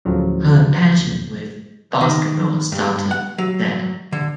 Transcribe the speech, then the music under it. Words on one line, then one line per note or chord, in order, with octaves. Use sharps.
Her passion with basketball started there.
D2 A2 C#3 F3 F#3
D#3
G2
F#5
F#3
D3